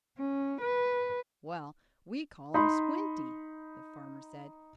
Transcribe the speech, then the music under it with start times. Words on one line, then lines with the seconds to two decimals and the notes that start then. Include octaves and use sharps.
"Well, we call him Squinty," the farmer said.
0.18 C#4
0.61 B4
2.54 D#4 B5 C6